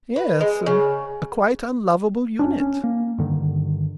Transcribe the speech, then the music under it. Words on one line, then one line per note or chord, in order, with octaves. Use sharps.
Yes, and a quite unlovable unit.
B4
G#3
C#3
F#1 C#4 D4
C#4
A#3
G2 D3 D#3